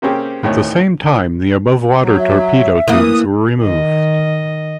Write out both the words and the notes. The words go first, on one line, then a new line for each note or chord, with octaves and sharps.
At the same time the above-water torpedo tubes were removed.
C3 A#3 C4 C#4 G4 G#4
D2 A2 D#3 C#5
F#3
E5
E3 A#3 D#6
D#3 D#5